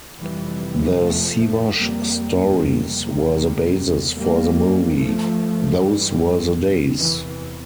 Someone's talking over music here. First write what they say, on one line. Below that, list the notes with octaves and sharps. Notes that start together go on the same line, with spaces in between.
The Siwash stories were the basis for the movie Those Were the Days!
F2 C3 E3 G3
F3 A3
F2 C3 G3 A#3
G3 A#3
E2 C3
G3 A#3
G2 F3 A3
E3 G3
E2 C3
E3